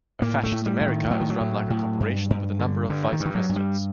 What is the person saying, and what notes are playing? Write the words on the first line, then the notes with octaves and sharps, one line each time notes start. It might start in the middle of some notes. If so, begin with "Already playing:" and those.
A fascist America is run like a corporation with a number of vice-presidents.
A2 A#3
A3
A2
G3
A2
D#3
A2 F#3
D#3
F#3
A2
A2
G2
G2
D3
G2 D3
D#3
G2
D#3
F#3
G2
G3